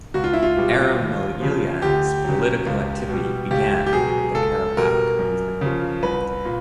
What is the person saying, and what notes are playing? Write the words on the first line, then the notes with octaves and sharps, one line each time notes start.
Aram Mayilyan’s political activity began with the Karabakh Movement.
C#2 F#4
F4
E4
F4
B2 G3
D#2
C#3 F3
D2 G4
C#3 F#3
C#2
B2 G3
C#2 G4
G4
B2 F#3 G#4
C#2 A4
B2 G3 A#4
F#2
C#3 F3
C2 B4
A#2